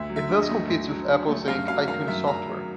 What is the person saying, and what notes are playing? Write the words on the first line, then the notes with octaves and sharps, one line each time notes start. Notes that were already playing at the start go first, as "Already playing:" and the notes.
It thus competes with Apple Inc.'s iTunes software.
Already playing: D2 E5
F#3
E5
D3
D#5
A3
D2
F#3
D3
A3
F#2 F5
F#3 F5
D#3 F5
F#2 E5
F#2 A#5
F#3